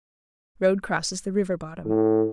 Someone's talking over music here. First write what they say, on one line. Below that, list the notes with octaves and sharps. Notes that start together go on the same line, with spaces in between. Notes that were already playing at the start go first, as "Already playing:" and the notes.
Road crosses the river bottom.
A2